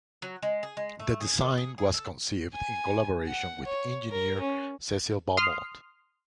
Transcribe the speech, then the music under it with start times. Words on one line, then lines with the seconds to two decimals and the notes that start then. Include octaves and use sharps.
The design was conceived in collaboration with engineer Cecil Balmond.
0.22 F#3
0.43 G#3
0.63 G#4
0.77 G#3
1.00 A3
1.21 G#4
1.41 D#3
1.58 G#4
1.78 G#4
1.94 A4
2.54 G#5
3.28 F#5
3.65 C#5
4.11 A#4
4.40 C#4
5.37 C6 D#6 F6 C7